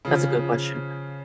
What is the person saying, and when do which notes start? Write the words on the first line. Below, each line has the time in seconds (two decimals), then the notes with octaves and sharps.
That's a good question.
0.05 C#3 F3